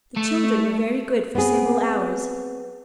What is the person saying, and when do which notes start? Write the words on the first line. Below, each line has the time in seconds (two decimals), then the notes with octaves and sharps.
The children were very good for several hours.
0.17 A3
1.35 B3 C4 G#4